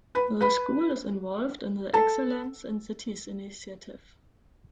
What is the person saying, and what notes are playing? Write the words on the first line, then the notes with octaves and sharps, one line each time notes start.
The school is involved in the "Excellence in Cities" initiative.
B4 B5
B4 B5
A4 A5